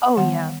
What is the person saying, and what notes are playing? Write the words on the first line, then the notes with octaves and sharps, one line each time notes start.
Oh, yeah.
D#3 G3 B3 F#5